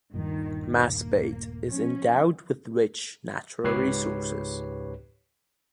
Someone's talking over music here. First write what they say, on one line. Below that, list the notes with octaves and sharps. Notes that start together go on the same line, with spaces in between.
Masbate is endowed with rich natural resources.
D#1 G2 A#2 D#3
A#3
F3 C#4
C#2 G#2 G4 B4 C#5 C7